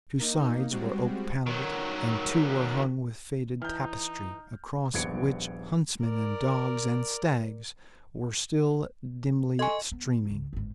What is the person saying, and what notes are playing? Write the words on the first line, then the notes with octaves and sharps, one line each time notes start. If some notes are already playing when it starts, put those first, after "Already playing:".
Two sides were oak-panelled and two were hung with faded tapestry, across which huntsmen and dogs and stags were still dimly streaming.
A#3 D#4
G3 G#3 C4 F#4
D#3 F#3
E3 D#4 F6 G6
D#1 A#1 B3 G#6 C#7 D7
A#4 D5
A4 D#5 G#5 C6 C#6
B3
C#2
G1 G#2